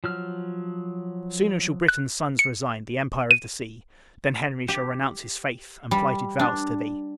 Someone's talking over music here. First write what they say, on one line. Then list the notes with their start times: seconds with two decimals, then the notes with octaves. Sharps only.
Sooner shall Britain's sons resign The empire of the sea; Than Henry shall renounce his faith, AND PLIGHTED VOWS, TO THEE!
0.04 F3 F#3 F6
1.88 F#6
2.39 C#7
3.31 D#7
4.68 G4
5.91 G3
6.39 D4